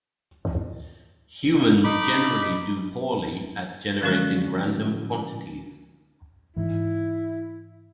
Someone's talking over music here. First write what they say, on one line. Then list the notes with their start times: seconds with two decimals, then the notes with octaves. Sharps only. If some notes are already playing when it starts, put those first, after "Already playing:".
Humans generally do poorly at generating random quantities.
1.84 D#4 B5 D6
4.02 D3 F3 G#3 C#4 F#4
6.56 G#2 E3 E4